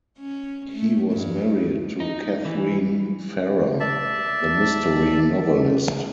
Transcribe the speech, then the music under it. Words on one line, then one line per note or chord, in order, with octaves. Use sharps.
He was married to Katharine Farrer, the mystery novelist.
C#4
A3
G2
D#4
E3
D5 E5 A5